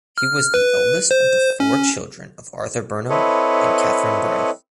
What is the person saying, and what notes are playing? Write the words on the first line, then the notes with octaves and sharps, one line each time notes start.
He was the eldest of the four children of Arthur Burnham and Katharine Bray.
F6
B4
C5
C#4
C4 E4 A4 B4 C#5 D#5